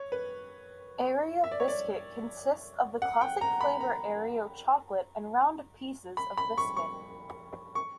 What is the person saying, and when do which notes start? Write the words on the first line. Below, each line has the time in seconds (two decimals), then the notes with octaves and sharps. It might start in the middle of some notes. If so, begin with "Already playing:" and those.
Aero Biscuit consists of the classic flavour Aero chocolate and round pieces of biscuit.
Already playing: C#5
0.12 B4
1.44 E5
1.51 D5
1.60 C#5
1.68 D5
3.02 F#5
3.21 G5
3.41 A#5
3.61 B5
3.81 A#5
6.17 B5
6.38 B5
6.58 C#6
6.76 C#6
7.75 C#6